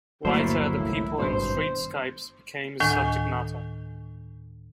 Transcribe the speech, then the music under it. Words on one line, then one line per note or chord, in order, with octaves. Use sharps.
Later the people in streetscapes became his subject matter.
G1 D#2 F#3 A3 A#3 E4 C5
C#2 A2
G#1 G2 B2 C5
D2 A2 D#3 G#5 G6